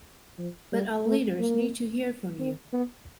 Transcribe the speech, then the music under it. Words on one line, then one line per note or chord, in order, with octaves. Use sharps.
But our leaders need to hear from you.
F3
G3
A3
A#3
C4
B3